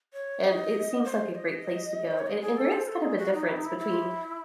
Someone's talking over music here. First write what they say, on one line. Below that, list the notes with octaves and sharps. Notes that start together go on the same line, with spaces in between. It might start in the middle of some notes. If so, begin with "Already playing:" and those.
And it seems like a great place to go. And and there is kind of a difference between
C#5
D#5
C5
D#5
C5
C#5
D#5
G#4
A4
C5
A4
G#4
F#4
D#4
E4
D#4
E4
E4